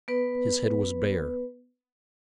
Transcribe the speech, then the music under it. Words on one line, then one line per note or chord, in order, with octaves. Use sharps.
His head was bare.
B3 B4